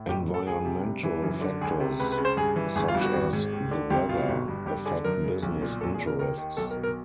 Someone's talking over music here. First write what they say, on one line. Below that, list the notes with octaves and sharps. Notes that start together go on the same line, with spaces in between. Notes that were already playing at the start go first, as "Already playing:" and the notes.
Environmental factors, such as the weather, affect business interests.
Already playing: A2
F#1 G4
F#2
A4
C#2 G#4
C3
G2
E3
F#2
D3
C#2 G#4
C3
C#2 B4
B4
C#3
C5
G2 G#4
E3
G1 G#4
F4
G2
F#4
G#1
G#2
D#2
D3
C2 G4
B2 F4
G1
G2
G2 G4
D3 G#4
F#2 A#4
C#3
B1
A#2
F1 A4
G#4
E2
A#4
D#2 A#4
D#3
B1 A4
A#4
B2
A#4